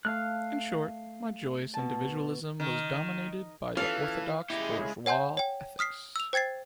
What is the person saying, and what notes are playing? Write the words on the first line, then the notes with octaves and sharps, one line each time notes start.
In short, my joyous individualism was dominated by the orthodox bourgeois ethics.
A3 F5 F6 F#6
B2 A5
D#3
E3 C#4 F4 A4 F5
C#3 G#3 D#4 E4 G4 G#4
C#5 F#5 G#5 C6 G6
C#5 G5
D#6 F6 B6 C7
E6 F7
C5 G5 G#6 A6 C7